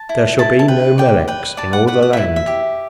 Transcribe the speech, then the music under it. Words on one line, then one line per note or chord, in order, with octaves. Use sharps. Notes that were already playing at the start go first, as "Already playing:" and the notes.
There shall be no Meleks in all the land.
Already playing: A5
E4
E4 A5
A5
B4 G5
D5 G5
B4 G5
D5 A5
F#5
B4 F#5
F#5
E4 E5
E5
G4